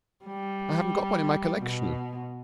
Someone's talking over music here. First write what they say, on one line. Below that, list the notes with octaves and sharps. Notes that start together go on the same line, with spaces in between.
I haven't got one in my collection.'
G3
B2